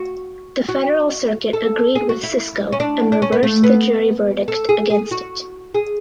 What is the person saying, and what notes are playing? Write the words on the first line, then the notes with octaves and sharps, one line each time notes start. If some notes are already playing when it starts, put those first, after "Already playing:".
The Federal Circuit agreed with Cisco and reversed the jury verdict against it.
Already playing: F#4
F#4
A4
G#4
F#4
E4
C#4
D4
D4
C#4
B3
A3
B3
A4
G#4
G#4
F#4
G#4